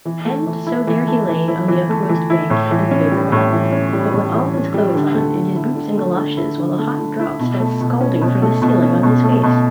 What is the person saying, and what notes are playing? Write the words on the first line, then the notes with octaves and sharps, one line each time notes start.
And so there he lay on the uppermost bank in the vapor-bath; but with all his clothes on, in his boots and galoshes, while the hot drops fell scalding from the ceiling on his face.
E3
A3
E3
E4
E3
A3
E3
E4
E3
A3
E3
E4
A2
E3
C#4
G3
A2
E3
C#4
G3
A2
E3
C#4
G3
D3
A3
D3
E4
D3
A3
D3
E4
D3
A3
D3
E4
B2
A3
B2
C#4
B2
A3
B2
C#4
B2
A3
B2